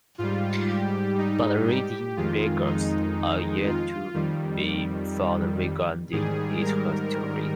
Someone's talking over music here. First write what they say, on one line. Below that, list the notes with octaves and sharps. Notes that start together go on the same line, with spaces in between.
But written records are yet to be found regarding its history.
G#2 G3 F4
G4
D#4
G4
F2 D#3 G#3 F4
D#4
F4
F2 D#3 G3
G#2 D#3 G3 G#4
A#4